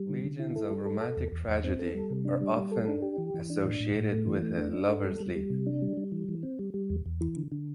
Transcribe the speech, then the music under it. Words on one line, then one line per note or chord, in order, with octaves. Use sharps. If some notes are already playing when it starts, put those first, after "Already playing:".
Legends of romantic tragedy are often associated with a Lovers' Leap.
Already playing: G3
D3
D3
E4
A4
G3
A4
A4
E2
E2
E2
C4
A4
G3
C3
D4
G3
G3
A4
D4
G4
E3
E3
D4
A2
A2
A2
A3
E3
A3
D4
D4
A4
G3
G3
G3
C3
D4
G3
G3
E3
E3
C4
G3
G3
E2
E2
E3
D3
D3